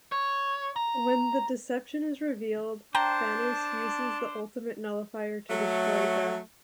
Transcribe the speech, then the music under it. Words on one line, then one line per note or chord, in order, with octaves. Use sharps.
When the deception is revealed, Thanos uses the Ultimate Nullifier to destroy Death.
C#5
A#5
D4 C5 G5 A5 A#5
F#3 A3